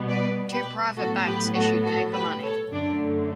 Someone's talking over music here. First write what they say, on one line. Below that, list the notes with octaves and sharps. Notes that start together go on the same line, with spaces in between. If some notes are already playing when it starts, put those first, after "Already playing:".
Two private banks issued paper money.
Already playing: B2 G3 B3
B4 D5
G4 B4
A2 F#3 B3 F#4 A4
G4 B4
F#4 A4
F#4 A4
G4 B4
A4 C#5
F#2 D3 A3 D4